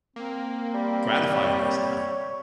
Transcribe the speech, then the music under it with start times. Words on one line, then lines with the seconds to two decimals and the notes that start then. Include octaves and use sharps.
gratify it as that?
0.16 A#3 C4
0.74 G3
1.34 C#5